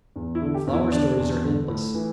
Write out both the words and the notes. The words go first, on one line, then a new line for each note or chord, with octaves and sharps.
Flower stories are endless.
E2
E4
D3
G4
E2
E4
D3 D4
E2
D3
A2
E3